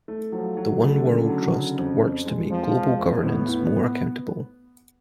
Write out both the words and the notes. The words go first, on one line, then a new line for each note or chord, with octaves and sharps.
The One World Trust works to make global governance more accountable.
A3
F3 F#3
F#3
D3
A3
C#3
F#3
C#3
F2
F2
G#3
F2 F3
G#3
F2
A2 B3
A2